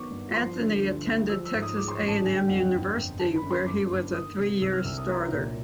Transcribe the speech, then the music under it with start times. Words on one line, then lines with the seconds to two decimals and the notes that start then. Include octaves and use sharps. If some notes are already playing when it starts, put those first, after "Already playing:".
Anthony attended Texas A and M University, where he was a three-year starter.
Already playing: D#3 F#3 B3 C#6 D6
0.10 G2
0.34 F3 C6
0.59 D3
0.82 D2
1.05 D2
1.29 F3 E6
1.45 E6
1.53 G#2
1.62 D#6
1.76 G#3 D6
1.88 C6
1.93 C#6
2.01 A1
2.08 A5
2.24 D3 G#5
2.36 G5
2.48 F2 F#5
2.60 G5
2.71 G1
2.96 G1
3.19 D3 A5
3.36 B5
3.43 F#2
3.51 C6
3.66 G1 D6
3.91 G1
4.13 D#3 D#6
4.38 C3
4.62 C2 E6
4.73 F6
4.85 C2 E6
4.97 D#6
5.09 F#3 A#5
5.32 A#2